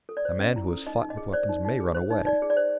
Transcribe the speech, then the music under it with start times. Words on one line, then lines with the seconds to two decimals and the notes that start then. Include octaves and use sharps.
A man who has fought with weapons may run away.
0.09 A4
0.17 D5
0.25 C5
0.40 C#4
0.56 E4
0.71 A4
0.87 D#4 D#5
1.02 D#4
1.10 D#5
1.17 G#4
1.33 C5 D5
1.49 D#4
1.65 D#4
1.80 G#4
1.95 C5
2.11 D#4
2.26 D#4 D5
2.42 G#4
2.50 D5
2.57 C5